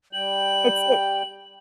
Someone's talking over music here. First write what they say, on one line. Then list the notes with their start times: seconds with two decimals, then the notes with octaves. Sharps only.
It's it
0.13 G3 G5 F#7